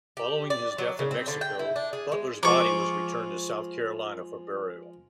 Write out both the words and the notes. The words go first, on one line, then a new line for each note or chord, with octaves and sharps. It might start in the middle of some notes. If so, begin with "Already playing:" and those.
Following his death in Mexico, Butler's body was returned to South Carolina for burial.
G4
D5
F#3
C#3
C4
D3
G5
E4
D4
G#4
G#3
F3 G#3 F4 C#6 D6